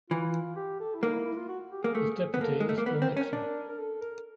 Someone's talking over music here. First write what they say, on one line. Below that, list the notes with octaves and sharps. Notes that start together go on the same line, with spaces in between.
His deputy is Phil Nixon.
E3 F4
G4
A4
E4
A#3 D#4
E4
E4
F4
F#4
G4
A#3 G#4
A3
B3
A#3 A4
G#3 A#4
A3
A#3
B3
C4
C#4
D4
A#4
A4
A#4